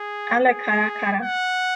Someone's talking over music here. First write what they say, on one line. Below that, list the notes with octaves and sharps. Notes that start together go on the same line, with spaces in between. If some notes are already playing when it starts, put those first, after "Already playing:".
Ale kara kara.
Already playing: G#4
G#4
F#5